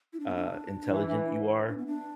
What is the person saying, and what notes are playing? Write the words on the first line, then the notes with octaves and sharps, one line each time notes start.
uh, intelligent you are.
E4
D4
B3
D4
E3
D4
B3
D4